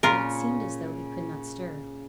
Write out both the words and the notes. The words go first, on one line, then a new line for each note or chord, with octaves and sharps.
Yet it seemed as though he could not stir.
A#2 C#3 F4 A#4